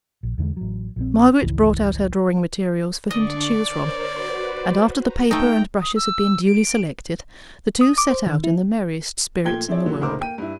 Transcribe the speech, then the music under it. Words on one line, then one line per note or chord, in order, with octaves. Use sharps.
Margaret brought out her drawing materials for him to choose from; and after the paper and brushes had been duly selected, the two set out in the merriest spirits in the world.
A#1
E2 D3 G#3
A1 F#3
A#1 E3 C4
G#1 C#2 E3
D3 D4 D5 D#5 C#6
A#4 C5 C#5
F#4 B4 C5
A#5
A3 D#4 G5
D#6
E6
D7
D#6
D6
C5
D#3
E4
A#2 F3 A3 G5 G#6 G7
C4 E4 G#4 C#5 D5
A#2 D3 E3 F#3
D#1 D2 D#4 A#4 C5 D6
A#3 G5 D#7
G2 E4